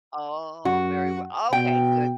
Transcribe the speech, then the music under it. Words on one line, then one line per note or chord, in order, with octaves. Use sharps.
Oh, very w okay, good.
F#2 F#4
B2 G5